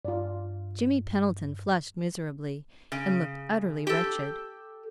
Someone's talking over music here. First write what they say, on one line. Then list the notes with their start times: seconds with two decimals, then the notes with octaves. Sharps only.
Jimmy Pendleton flushed miserably and looked utterly wretched.
0.05 G2 F4 D5
2.92 C#3
3.87 G4 A4